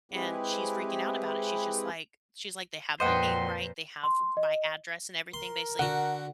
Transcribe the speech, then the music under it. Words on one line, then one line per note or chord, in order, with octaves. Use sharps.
and she's freaking out about it. She's just like she's like, "They have my name right. They have my address and everything basically,
G#3 C4 E4 G4 G#4 B4
F2 A#2 B4 C5 D#5 F#5 G5 C6
C6
D#5
A#4 C6
D3 F#4 F#5